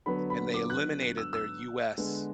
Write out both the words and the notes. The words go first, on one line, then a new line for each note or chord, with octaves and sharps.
and they eliminated their US
D3 F#3 B3 B5
B5
D6
F#6
F#6
E6
E6
D3 G#3 B3